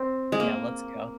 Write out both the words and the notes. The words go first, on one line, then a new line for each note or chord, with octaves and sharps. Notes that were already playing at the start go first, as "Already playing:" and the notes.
Yeah, let's go.
Already playing: C4
G#3
A#3